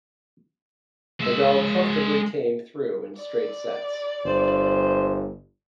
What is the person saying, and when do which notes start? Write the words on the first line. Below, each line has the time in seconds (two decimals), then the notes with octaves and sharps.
Nadal comfortably came through in straight sets.
1.20 G#3 E5
3.17 D5
4.25 G1 C5